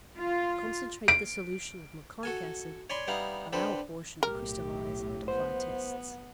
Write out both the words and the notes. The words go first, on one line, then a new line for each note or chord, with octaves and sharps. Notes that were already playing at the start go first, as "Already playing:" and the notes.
Concentrate the solution of meconic acid, allow a portion to crystallize, and apply tests.
F4
D7
F#4 A4 G#5
C#5 D5 G#5 B5 C6
G3 B3 D#4 E4 F5
D3 C4 A4 B4
B1 A2 G4 A#4
B3 C5